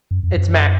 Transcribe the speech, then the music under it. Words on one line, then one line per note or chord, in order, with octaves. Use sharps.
It's Max.
F#2
F2
F#2